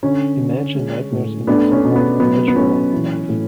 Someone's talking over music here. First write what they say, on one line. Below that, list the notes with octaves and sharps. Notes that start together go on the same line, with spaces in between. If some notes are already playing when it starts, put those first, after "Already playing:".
Imagine nightmares in your so called "Natural" life.
D3 C#4
D3
G#3
A2
A3 B3 D4
C#4
B2
B3
F#3 B3
B3
F#3 C#4
E3
A2